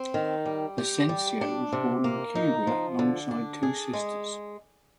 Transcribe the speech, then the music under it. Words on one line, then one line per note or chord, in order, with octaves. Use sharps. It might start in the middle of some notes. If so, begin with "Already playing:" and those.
Asensio was born in Cuba alongside two sisters.
Already playing: C4
D#3
G3
G4
G3
D4
C3
A#3
D#4
F3
D3
D4
G#4
G#3